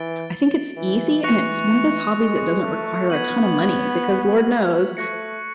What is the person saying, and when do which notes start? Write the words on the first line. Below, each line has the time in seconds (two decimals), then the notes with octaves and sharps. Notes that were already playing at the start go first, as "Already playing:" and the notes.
I think it's easy and it's one of those hobbies that doesn't require a ton of money because lord knows
Already playing: E3 A6 D7 G7
0.77 E3
1.24 E3 C#6 F#6 A#6 C#7 F7
2.18 G#3
2.64 A3
3.10 B3 G#6 B6 D#7 F#7
4.96 A3 C#6 F#6 A#6 C#7